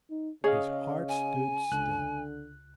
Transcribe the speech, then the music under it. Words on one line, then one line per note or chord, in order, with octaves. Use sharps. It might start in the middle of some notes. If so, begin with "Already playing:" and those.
His heart stood still.
D#4
C#3 G#4 C#5 D#5 F5
G#5
C#2 D3 F#6